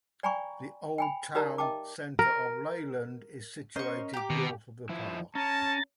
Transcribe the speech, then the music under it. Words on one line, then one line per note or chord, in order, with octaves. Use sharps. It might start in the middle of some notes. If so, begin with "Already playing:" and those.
The old town centre of Leyland is situated north of the park.
D5 G5 G#5 A#5 B5 C#6
G5 G#5 B5
D#4 G4 A#4 D5 A5 A#5
D#5 E5 G5 A5 D6
A#4
C#4 A#4 C5 D#5 C#6
G4 A#5 D6
B2 D#3
F3 E4
C#4 A5 A#5 A6